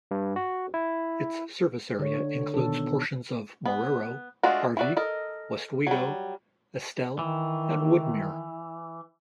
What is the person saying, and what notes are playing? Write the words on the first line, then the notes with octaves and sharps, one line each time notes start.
Its service area includes portions of Marrero, Harvey, Westwego, Estelle, and Woodmere.
G2
F#4
E4
D3 C#5
B2 D#3 A4
B3
G#3 A3 D4 F4 F#4
E4 F#4 D5
A4 A#4 D#5
F#3 G3
D#3 E3